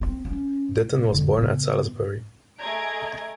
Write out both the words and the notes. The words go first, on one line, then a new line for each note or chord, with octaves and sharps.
Ditton was born at Salisbury.
C4
C#4
G#2
F2 D3
C#3 B3
A3 G#4 D#5 A#5 G#6 D7